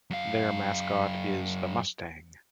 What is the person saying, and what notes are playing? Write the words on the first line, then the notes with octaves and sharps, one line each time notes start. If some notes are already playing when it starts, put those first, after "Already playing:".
Their mascot is the Mustang.
F#2 F5